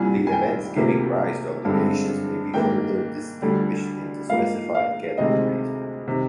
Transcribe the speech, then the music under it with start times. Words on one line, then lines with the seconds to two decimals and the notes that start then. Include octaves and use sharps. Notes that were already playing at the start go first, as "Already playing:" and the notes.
The events giving rise to obligations may be further distinguished into specified categories.
Already playing: C2 A#2 G3 G#5
0.27 G#5
0.32 G5
0.76 D2 C3 F3 A#3
1.65 G2 D3 G#3 C4
2.54 G#2 D#3 A#3 G5
3.42 D2 D3 G3
4.29 G#2 F3 A#3 F5
4.75 F5
5.18 D2 C3 D#3 G#3 C4 D#5
6.07 C3 D#3